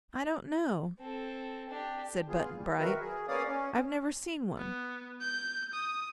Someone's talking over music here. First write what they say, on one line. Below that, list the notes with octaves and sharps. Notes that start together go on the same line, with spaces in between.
"I don't know," said Button-Bright; "I've never seen one."
C4 A4
D4 G4
B3 F4 G#4
G3
D#3 F#3 F#4 A#4 B4 E5
G#4
A#3 B3 C#4 D5 F5 D#6
C#4
B3
G6
D#6